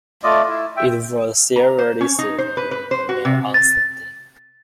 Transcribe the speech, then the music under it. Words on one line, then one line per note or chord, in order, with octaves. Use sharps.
It was serialised in the Mail on Sunday.
A3 F4 D5 D#5
E4
E5 G5
A#5
C5
C#4
D#4
C5
B4
B4
C5
F#4
C3
A6